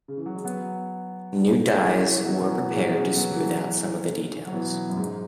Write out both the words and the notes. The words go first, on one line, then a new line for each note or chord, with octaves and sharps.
New dyes were prepared to smooth out some of the details.
C#3
E3
F#3
G#3
F#3 B3
E3 G#3
E3 G#3
E3 G#3
F#3 B3
B2 E3
B2 E3
E3 G#3
G#3 C#4
F#3 B3
E3 G#3
F#3
B2 E3
F#2
G#2